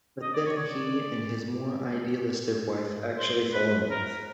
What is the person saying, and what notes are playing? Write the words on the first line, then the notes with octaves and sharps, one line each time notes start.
But then he and his more idealistic wife actually fall in love.
D#5
D5
C#5
D5
C5
B4
A#4